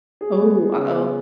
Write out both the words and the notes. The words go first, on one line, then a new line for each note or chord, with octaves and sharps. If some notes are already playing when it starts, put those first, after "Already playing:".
Oh, uh-oh.
G#4
B3
G#4
C#3
B3